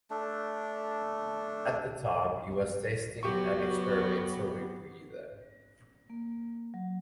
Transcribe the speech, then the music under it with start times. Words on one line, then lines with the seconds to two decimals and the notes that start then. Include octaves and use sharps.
At the time, he was testing an experimental rebreather.
0.10 A3 D4
3.23 F#3 B3 F#4 G4 C#6
6.10 A#3
6.74 F#3